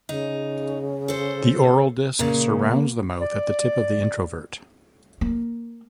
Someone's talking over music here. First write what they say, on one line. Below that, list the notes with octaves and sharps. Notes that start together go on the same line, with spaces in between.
The oral disc surrounds the mouth at the tip of the introvert.
C#3 D#4
A4 C5
A#2 C#3
A#3
D5
A#3